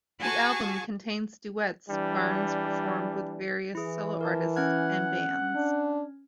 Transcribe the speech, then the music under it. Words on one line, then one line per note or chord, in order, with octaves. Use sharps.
The album contains duets Barnes performed with various solo artists and bands.
F#4 G#4 G#5 A5 C#6
E3 G3 D4
E3 E4 G#4
A#4 A5
C#4 F#5 F6 G#6
D4